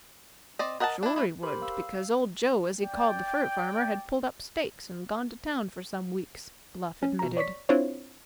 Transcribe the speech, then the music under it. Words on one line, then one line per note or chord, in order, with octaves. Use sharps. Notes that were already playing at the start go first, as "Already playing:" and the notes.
"Sure he would, because Old Joe, as he called the fur farmer, had pulled up stakes and gone to town for some weeks," Bluff admitted.
C4 D5 D#5
A#4 D#5 F#5 G#5 A5
D4 E4
A3 E4
G4 A#4 C5 B5 C6
F5 E6
D5 G5
C#4
B2 A#5
C#5 D5 C#6 B6
C4 D4 E4 F4 C5 C#5